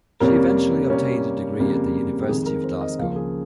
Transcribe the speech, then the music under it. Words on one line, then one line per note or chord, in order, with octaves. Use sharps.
She eventually obtained her degree at the University of Glasgow.
F2 C3 G3 A#3 C#4 A#4
C3 G3 A#3 C#4
F2 C#3 G3 A#3
G4
F2 D#3 G#3 G#4
A#4
C5
D#5
C#2 C#3 F3 A#3 F5
G#4